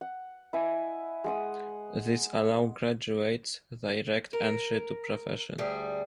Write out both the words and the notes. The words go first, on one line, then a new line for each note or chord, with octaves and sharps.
These allow graduates direct entry to the profession.
F#5
E4 D#5 G#5
G#3 F#5 D#6
A#4
D2 G3 G#4